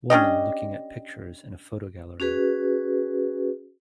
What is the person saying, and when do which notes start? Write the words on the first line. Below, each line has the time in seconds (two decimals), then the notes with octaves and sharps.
Woman looking at pictures in a photo gallery.
0.10 C#4 D4 G4 D#5
2.20 C#4 F#4 G#4 B4